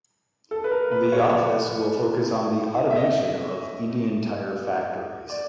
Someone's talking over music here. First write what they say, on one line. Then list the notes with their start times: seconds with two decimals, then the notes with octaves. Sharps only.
The office will focus on the automation of Indian tire factories.
0.51 A4
0.64 B4
0.71 A#4
0.91 B4
1.12 C#5
1.33 D5
2.91 E5
2.96 D#5
5.30 D5